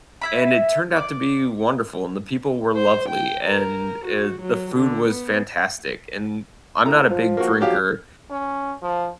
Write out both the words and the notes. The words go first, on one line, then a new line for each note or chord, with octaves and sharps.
and it turned out to be wonderful, and the people were lovely, and, eh, the food was fantastic, and I'm not a big drinker,
E4 E5 B5
D5
C5
G5
A#4
F#4
F#3
D3
B3
A2 A#5
F3
A#3 F#4
F3 F#3 G4 F5
C#4
F3